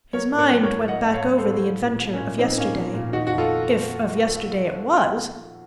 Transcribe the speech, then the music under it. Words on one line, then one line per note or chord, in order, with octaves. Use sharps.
His mind went back over the adventure of yesterday, if of yesterday it was.
F#3 A#4 C#5
A2
A#4 C#5
F#3
A#4 C#5
A2
F#3 D#5 F#5
A2
C#5 F5
F#3
A4 C5
A2
F3
A#2
F3
A#3 C#4
A#2
F3 C4 D#4
A#2 A#3 C#4
F3 A#3
A#2 A#3
D#3 D#4 F#4
F#4
F2
F4 A4